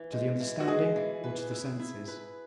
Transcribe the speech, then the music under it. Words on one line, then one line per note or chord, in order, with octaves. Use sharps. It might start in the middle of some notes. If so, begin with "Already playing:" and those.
To the understanding or to the senses?
Already playing: E3
G#3
E3
F#4
G#3 G#4
E3
B4
E4
E4
B4